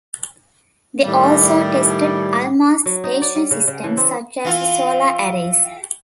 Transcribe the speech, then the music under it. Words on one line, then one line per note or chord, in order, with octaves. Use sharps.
They also tested Almaz station systems, such as the solar arrays.
A2 D#3 G3
F#3
D#4
D5
G3
C#3
C#3
E3
C4
E3 F4